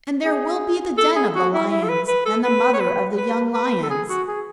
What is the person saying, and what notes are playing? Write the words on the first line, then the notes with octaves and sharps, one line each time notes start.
And there will be the den of the lions, and the mother of the young lions!
G#4
A4
G#4
F#4
E4
E4
A4
B4
B4
A4
B4
C#5
B4
B4
B4
A4
G#4
F#4
G#4